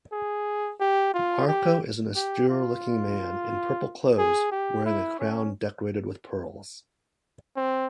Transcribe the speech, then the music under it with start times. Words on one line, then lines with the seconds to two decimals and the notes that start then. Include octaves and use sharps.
Marko is an austere-looking man in purple clothes, wearing a crown decorated with pearls.
0.13 G#4
0.80 G4
1.14 F4
1.48 G4
2.16 G4
2.49 F4
4.19 G#4
4.52 G4
4.86 E4
5.20 C#4
7.57 C4